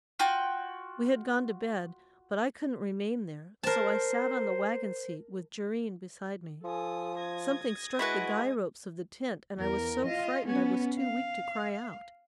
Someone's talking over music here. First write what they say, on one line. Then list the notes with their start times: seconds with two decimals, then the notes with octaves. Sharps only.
We had gone to bed, but I couldn't remain there; so I sat on the wagon-seat with Jerrine beside me. Something struck the guy ropes of the tent, and I was so frightened I was too weak to cry out.
0.19 F4 F#4 G5
3.63 A#4 C5 A5
6.65 F3 A4 G#5 D#6
7.17 D#6 G#6 A#6
7.99 G#3 E4 F#4 B4
9.57 E2 A#4
10.05 F4 D#5
10.46 B3 C#4
10.99 F5